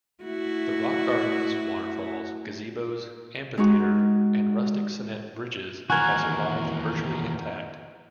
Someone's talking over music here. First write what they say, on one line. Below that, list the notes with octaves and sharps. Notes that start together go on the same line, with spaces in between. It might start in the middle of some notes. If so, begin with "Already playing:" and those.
The rock gardens, waterfalls, gazebos, amphitheater and rustic cement bridges have survived virtually intact.
A3 E4 F#4
G#3 D#4 F#4
D#2 E3 F#4 A#4 G#5 F#6 G#6